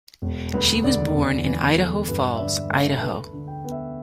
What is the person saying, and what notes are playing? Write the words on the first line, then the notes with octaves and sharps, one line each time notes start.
She was born in Idaho Falls, Idaho.
E1
D2 B4
D3 D5
E2
E3
A3
G2 B4
E5
D3 D5
A3 E5
D2 B4
D3
G5
B3
E5